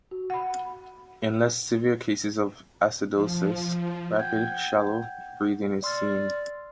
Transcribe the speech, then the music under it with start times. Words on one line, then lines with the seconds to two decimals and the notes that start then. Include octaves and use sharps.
In less severe cases of acidosis, rapid, shallow breathing is seen.
0.11 F#4
0.30 F#5 B5
3.12 F3
4.19 F#5 G5 G6 G#6
5.83 D5 C6 E6 F6 A6